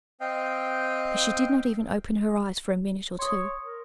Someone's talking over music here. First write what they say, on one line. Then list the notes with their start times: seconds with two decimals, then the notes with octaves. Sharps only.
But she did not even open her eyes for a minute or two.
0.20 C4 D#5 F5 G5
3.19 C#5 C6 D#6
3.63 A#4